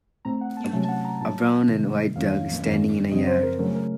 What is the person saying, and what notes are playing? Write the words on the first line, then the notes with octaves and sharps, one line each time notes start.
A brown and white dog standing in a yard.
A2 A3 C4 A#5
F#5
A5
C3 F#3 A3 C#4 A5
A5
F#5
A#5
A2 F#3 A#3 A5
C3 D#3 A3
F2 D#3 F#3 A#3 C#4 F5
F#2 D#3 A#3 C#4
F#2 C#3 F3 C4 D#5
C5
A#4
C#3 F#3 A3 C#4 A#4
A#4